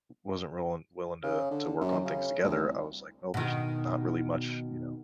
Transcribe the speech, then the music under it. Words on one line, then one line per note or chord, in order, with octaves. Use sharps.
wasn't rolling willing to to work on things together, I was like, "Well, there's not really much," you know,
C#3
D3
F#2
C#3
D2
C2
B2 D#3